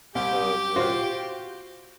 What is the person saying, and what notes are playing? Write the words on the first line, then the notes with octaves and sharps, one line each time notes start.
Oh, man.
C2 G4 G5
F4 F#4 C5